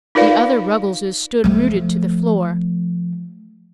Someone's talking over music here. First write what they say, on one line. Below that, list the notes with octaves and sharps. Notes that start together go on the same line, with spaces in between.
The other Ruggleses stood rooted to the floor.
D#4 F4 A#4 B4 D5 F5
F3 A3